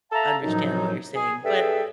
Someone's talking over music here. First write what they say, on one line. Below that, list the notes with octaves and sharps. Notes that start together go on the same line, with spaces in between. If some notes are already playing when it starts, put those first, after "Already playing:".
understand what you're saying, but
A4 E5 F5 A5 A#5
F#2 A2 F3 F#3 D#4
G#4
G2 G#4 A4 B4 E5 G5